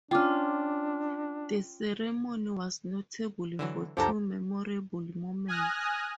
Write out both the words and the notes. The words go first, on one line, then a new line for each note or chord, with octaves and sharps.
The ceremony was notable for two memorable moments.
C#4 D4 F4 G5 D6 F6
D3 E3 F#3
C#2 F#2 F3 D4 G4 A4 A#5
G#5 D#6 F6 F#6 A#6